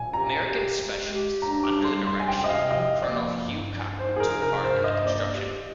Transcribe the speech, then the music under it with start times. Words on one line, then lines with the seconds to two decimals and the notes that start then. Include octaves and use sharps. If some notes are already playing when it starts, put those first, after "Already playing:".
American specialists under the direction of Colonel Hugh Cooper took part in the construction.
Already playing: A#2 G#5
0.13 G4 A#5
0.46 G4
0.78 G#3
1.10 G4
1.42 D4 A#5
1.64 D6
1.74 G3
1.84 C6
2.06 C3 C6
2.19 G#5
2.28 G5
2.38 C3
2.44 D#5
2.49 F5
2.70 F3 D#5
3.03 A#3 D5
3.35 G2
3.67 F3
3.99 D#4 C5
4.16 G#4
4.20 A#4
4.31 C3
4.42 A#4
4.63 G2 C5
4.84 D#5
4.95 A#3
5.06 D5
5.27 G4